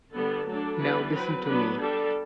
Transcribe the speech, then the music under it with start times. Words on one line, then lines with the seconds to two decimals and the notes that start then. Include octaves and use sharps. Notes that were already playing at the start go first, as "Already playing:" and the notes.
Now listen to me.
0.14 D3 G3 B3 D4 A4
0.46 F#3 A3 D4 A4
0.80 E3 G3 B3 D4 B4
1.12 F#3 C4 B4
1.45 F#3 B3 D4 B4
1.78 G3 D4 A4